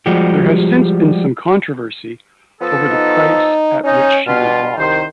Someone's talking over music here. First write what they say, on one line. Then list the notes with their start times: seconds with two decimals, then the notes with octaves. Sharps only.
There has since been some controversy over the price at which she was bought.
0.06 F3 G3 G#3 F#4 G4
2.61 F3 B3 A4
2.92 D#4
3.84 C#4 D#4
4.27 B2 G3 D4 F4
4.77 C2 D#3 C5